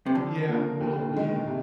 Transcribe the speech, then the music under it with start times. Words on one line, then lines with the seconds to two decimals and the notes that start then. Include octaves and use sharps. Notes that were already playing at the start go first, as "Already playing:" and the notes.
Yeah, in the middle of it. Yeah.
0.06 C3
0.15 D3 F3
0.48 A#3 D4 F4 A#4
0.81 D#2
1.14 D#3 G#3
1.47 C3